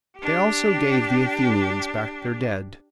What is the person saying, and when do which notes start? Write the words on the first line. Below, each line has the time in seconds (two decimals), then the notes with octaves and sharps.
They also gave the Athenians back their dead.
0.18 D4 G4